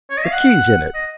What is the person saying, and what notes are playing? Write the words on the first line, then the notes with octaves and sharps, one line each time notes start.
"The key's in it."
C#5
D#5
F5
F#5
D#5